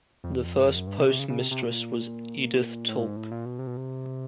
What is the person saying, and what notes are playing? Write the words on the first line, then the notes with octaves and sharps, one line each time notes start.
The first postmistress was Edith Tulk.
F2
E2
F2
G2
F2
F#2
G2
C3
C3
C#3
C#3
C3
C3
A#2
A2
G#2
A2
A#2
B2
C3
B2
C3